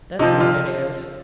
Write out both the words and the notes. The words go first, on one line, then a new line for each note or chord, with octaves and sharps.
That's what it is.'
C3 F3 D#4
F4